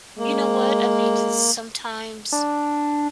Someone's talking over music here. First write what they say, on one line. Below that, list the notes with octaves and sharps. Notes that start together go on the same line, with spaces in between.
you know what? I mean, d sometimes
G#3 A#3
D4